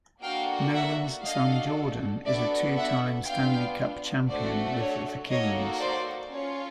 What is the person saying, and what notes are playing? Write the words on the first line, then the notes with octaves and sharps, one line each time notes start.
Nolan's son Jordan is a two time Stanley Cup Champion with the Kings.
A#3 D4 F#4 A4 F5 G5
E5 F#5
D4 F#4 A4 D#5 F5
B3 D4 F#4 A4 D5 E5
E5 F#5
B3 D4 F4 F5 G5
A3 D4 F#4 A4 C5 D5
C#5
A#3 D#4 F#4 A4 C#5 D#5
C5 D5
C#4 F4 A4 C#5